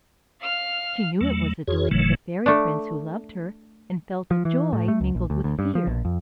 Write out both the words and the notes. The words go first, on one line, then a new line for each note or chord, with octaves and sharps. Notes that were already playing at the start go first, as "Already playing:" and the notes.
She knew it was the doing of the fairy-prince who loved her, and felt a joy mingled with fear.
F5 F6
E2 F#3 A3
F2 F#4 G#4 C#5
F#1 A2 C#3 E3 F#3 A3
A3 D4
F3
E3
A2
A3
C#2
A#1
D2
D2
G2
F3
A#1
F2